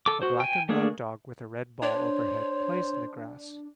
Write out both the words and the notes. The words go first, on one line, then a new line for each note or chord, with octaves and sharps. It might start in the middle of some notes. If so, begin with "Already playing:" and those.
A black and brown dog with a red ball overhead plays in the grass.
A4 D6
F#4 C5
G5 G#5
A3 A#3 D4 G#4
D4 C5 C#5